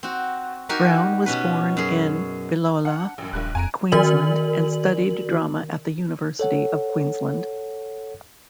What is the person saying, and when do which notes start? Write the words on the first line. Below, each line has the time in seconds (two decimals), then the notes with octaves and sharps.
Brown was born in Biloela, Queensland and studied drama at the University of Queensland.
0.03 C4 F#4
0.69 D#4 F#4 G4 A#4 G#5
1.26 B2 C#4 B4
1.77 F#2 G#4
2.85 D4 F#5
3.18 A1 F#2
3.33 D#1 A#1 G2 F#6
3.55 F2 G#5 A#5 D7
3.92 D#3 F#4 A#4 D5 F#7
6.39 A4 C#5 F#5